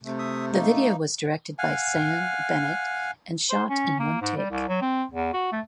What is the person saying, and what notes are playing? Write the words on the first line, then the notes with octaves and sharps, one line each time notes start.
The video was directed by Sam Bennett and shot in one take.
C3 A3
E5 D#6
A3 A#3 D#4
F5 F#5 G#5
C5
C#4
A#3
G#2
G3
C2
F#3
C4
E2
F#4
A3